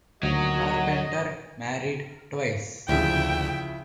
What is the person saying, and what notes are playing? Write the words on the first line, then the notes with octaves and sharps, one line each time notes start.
Carpenter married twice.
D2 A#2 D#3 F#3 F#4 D#5
D2 C#3 F3 E4 E5 G5